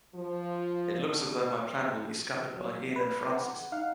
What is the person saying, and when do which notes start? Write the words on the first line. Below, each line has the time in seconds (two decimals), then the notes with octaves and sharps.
It looks as though my plan will be scuppered by Ian and Francis.
0.15 F3
0.96 D3
2.56 F#3
2.96 B4
3.34 F#5
3.72 D#4 F5 F#5